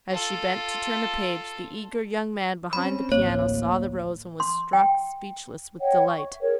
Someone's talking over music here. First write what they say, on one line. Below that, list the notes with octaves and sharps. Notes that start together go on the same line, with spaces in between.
As she bent to turn a page, the eager young man behind the piano saw the rose and was struck speechless with delight.
F4 A4
C4 C#4 B5
A1 D2 A#3 C#5
C6
G5
C#5 D#5 F#5 G5
C#6
E5
G#4 A#4 C#5